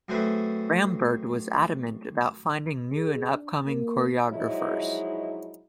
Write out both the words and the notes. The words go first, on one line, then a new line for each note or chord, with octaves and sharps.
Rambert was adamant about finding new and upcoming choreographers.
F#2 A3 C4 G#4 B4
G#4
D4
A#3
F3 F#3 G#3 D#4 E4